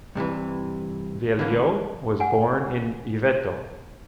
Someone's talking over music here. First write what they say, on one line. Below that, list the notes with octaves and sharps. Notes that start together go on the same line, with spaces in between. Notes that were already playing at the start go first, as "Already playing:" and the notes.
Vieillot was born in Yvetot.
G2 C3 D#3 E3
D3 E3 A#3 C#4
F#5 G#5